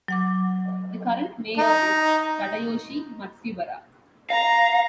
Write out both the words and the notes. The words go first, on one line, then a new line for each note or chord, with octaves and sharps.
The current mayor is Tadayoshi Matsubara.
F#3 F#5 D6
D#4
F5 A#5